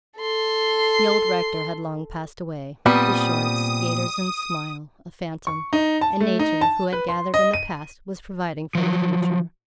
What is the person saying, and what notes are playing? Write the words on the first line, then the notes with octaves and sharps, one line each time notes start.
The old rector had long passed away; the shorts, gaiters, and smile--a phantom; and nature, who had gathered in the past, was providing for the future.
A4 C6
A#2 G3 B3 C4 D#6
C#6
D#4
A5
A3
D#4
A5
B4
C6
D#5
D#7
F3 F#3